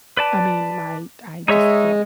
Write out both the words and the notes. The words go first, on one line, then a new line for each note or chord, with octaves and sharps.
I mean, my I just felt
B4 D5 A5
G#3 D#4 C#5 E5